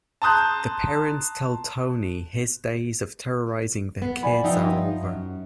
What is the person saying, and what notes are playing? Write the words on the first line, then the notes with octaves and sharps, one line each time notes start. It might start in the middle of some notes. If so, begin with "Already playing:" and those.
The parents tell Tony his days of terrorizing their kids are over.
A5 A#5 C6 D#6 F#6 G6
B3
D5 G#5 B5
F3 D#4 E5 F#5 G5
F#2